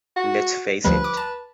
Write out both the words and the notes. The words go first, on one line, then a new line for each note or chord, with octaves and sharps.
Let’s face it!
F#4
D2 F3 G3 B4
D6
A5